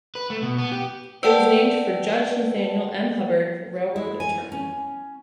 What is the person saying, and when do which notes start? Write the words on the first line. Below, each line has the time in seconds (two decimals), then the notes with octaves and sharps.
It was named for Judge Nathaniel M. Hubbard, railroad attorney.
0.15 B4
0.30 A3
0.42 B2
0.58 B3
0.72 G4
1.23 B4 D5 F#5 G5 A5
3.96 E4
4.20 G#5
4.52 C#4